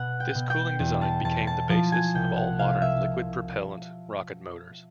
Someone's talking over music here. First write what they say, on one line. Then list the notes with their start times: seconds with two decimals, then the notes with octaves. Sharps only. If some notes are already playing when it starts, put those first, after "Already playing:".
This cooling design became the basis of all modern liquid-propellant rocket motors.
Already playing: B2 F#5
0.20 G5
0.35 B2
0.50 G5
0.79 E2
1.01 A5
1.25 E2 A5
1.47 A5
1.69 F3 A5
1.92 G#5
2.14 C2 G5
2.36 F#5
2.59 C3 F5
2.82 E5